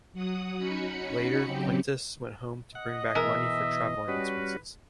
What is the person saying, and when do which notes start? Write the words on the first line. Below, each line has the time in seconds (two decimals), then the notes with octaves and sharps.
Later Quintus went home to bring back money for travelling expenses.
0.13 F#3 F#5 D#6
0.57 C#4 D#4 F#4 B5 C#7
1.45 C#3 F#3 C4 G4
2.75 D#5 F#5
3.15 B2 E3 G#3 A#4 E5
4.08 G3 C#4 F#4 B4